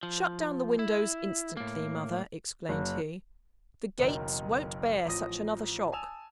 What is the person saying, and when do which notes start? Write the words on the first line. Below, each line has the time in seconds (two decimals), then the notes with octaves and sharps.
'Shut down the windows instantly, mother,' exclaimed he: 'the gates won't bear such another shock.
0.03 F3
0.79 E4
1.57 A2 A#3
2.69 F#1
3.99 F#1 B1 D#3
5.05 A1 F3 D#6 A#6
5.92 G#5 A5 D#6 E6 E7 F7